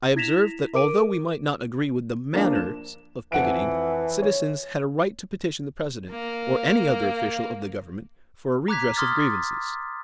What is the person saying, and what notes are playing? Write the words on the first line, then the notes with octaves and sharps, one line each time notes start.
I observed that although we might not agree with the "manners" of picketing, citizens had a right to petition the President or any other official of the government for a redress of grievances.
E4 G#6 A#6 B6 E7 F7
A#4 D6 D7 D#7
F3 A#3 D4
E7
F2 E3 F#5 D7
C#5
A#3
A#5 D6 F#6 G#6 B6
C6 D6 D#6 F6 G#6 A6